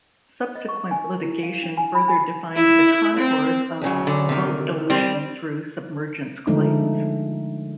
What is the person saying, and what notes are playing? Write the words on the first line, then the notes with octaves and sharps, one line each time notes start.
Subsequent litigation further defined the contours of "vote dilution through submergence" claims.
D#5
C#6
G#5
A#4
E4
F5
D4
G#5
B5
G#5
E4
C4
D2 C#3 F#3
D3
C3 D#3
G3 C4
D3 F3 G#3 A3 D4 D#4